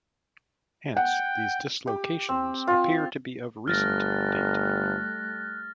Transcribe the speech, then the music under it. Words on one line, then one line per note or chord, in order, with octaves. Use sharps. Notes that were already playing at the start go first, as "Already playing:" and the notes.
Hence these dislocations appear to be of recent date.
F#5 G5
G4
C4
F4
G1 G3 A3 F6 F#6 A6 A#6